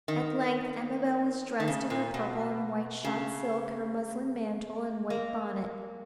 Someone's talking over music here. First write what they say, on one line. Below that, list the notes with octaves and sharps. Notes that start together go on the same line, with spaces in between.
At length Amabel was dressed in her purple and white shot silk, her muslin mantle, and white bonnet.
D#3
D#3
C#3
A#2
B2
C#3
A#3